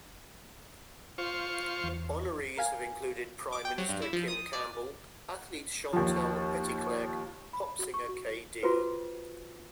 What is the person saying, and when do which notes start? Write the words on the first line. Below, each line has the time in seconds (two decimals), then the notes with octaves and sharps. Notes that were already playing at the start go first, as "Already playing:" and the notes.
Honorees have included Prime Minister Kim Campbell, athlete Chantal Petitclerc, pop singer k.d.
1.18 F4 C5 C#6
1.83 E2
2.57 A#4 F5 G#5
3.52 D6
3.65 G5
3.78 F#3
3.89 G2
4.02 E4
4.13 F3
4.28 D#6
4.53 D5
5.93 D#2 F3
7.53 B5
7.79 F#4
7.94 C#6
8.09 F#4
8.63 F4 F#4 G#4 B4 C5